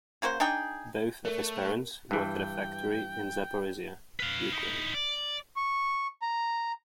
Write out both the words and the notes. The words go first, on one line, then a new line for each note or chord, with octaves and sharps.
Both of his parents work at a factory in Zaporizhya, Ukraine.
C#3 A#3 F#4 C5
D4 D#4 G#4 G5
A3 A#4
G2 E3 G5
B4 F5
D#4 E4
D5
C#6
A#5